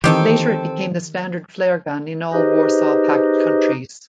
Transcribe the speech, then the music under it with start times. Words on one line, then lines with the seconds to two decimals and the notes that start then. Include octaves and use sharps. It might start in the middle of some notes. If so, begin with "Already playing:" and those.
Later it became the standard flare gun in all Warsaw Pact countries.
0.04 F2 D#3 E3 C4 G4 A4
2.33 D#4 G4 G#4 B4 C5 D#5